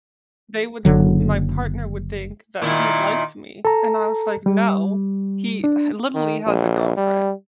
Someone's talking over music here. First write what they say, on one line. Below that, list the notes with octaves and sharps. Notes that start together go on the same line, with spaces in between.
they would my partner would think that he liked me, and I was like, "No, he h literally has a girlfriend."
F#1 D3 F#3
A#2 D#3 E4
A4 A#5
G3
D4
D#3
A#1
G3